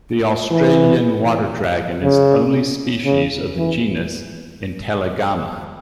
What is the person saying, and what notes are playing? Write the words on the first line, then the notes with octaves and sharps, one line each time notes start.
The Australian water dragon is the only species of the genus "Intellagama".
E3
C#3
C#3
E3